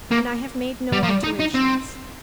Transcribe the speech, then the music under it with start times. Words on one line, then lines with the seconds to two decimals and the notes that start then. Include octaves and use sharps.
And I have made no alterations.
0.11 A#3
0.93 G3
1.03 F3
1.09 G3
1.24 D#4
1.40 D#4
1.54 C4